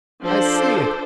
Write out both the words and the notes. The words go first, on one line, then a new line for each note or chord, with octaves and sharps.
I see it!
F3 D4 A4 C5